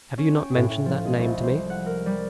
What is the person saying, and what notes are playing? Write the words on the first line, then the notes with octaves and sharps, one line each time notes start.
"Have you not mentioned that name to me?"
C#4
G5
A2
A2
F3
G#3
C2
C5
F#5
A#4
G3